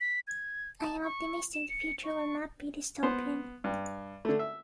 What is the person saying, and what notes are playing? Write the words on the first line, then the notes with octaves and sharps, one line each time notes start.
I am optimistic the future will not be Dystopian.
B6
G#6
A5
C#6
E7
C#7
C#6
B3 C5
G2
D3 A3
E5